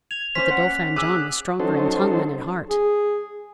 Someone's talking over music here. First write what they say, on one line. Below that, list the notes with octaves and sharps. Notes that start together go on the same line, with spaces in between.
But the Dauphin John was stronger in tongue than in heart.
G#6 F7
A#3 C#4 C5 B6
F#5
G#4 D6 E6 F#6
F#3 C#4 D#4 A4 C5
G#4